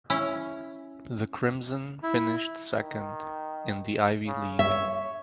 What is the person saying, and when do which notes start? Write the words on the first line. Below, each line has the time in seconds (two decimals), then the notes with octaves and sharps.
The Crimson finished second in the Ivy League.
0.10 C#4 E4
2.03 E4
2.76 D#3
4.27 C#3
4.59 C#5 E5